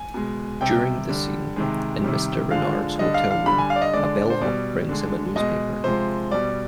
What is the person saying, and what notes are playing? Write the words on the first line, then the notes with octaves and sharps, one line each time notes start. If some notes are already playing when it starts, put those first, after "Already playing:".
During the scene in Mr. Renard's hotel room, a bellhop brings him a newspaper.
Already playing: G#5
B2 G#3
C3 G3 G5
D3 G3
C3 D#3 G#3
C3 D#3 G3
D3 F3 G#3 F5
D3 G3 D#5
F5
F5
D3 G3 B5
G#5
F5
D5
D#5
D3 G#3 D5
C5
B2 G3 D5
D3 G#3
B2 G#3 D#5
C3 F3 G#3 C5
B2 G3 D5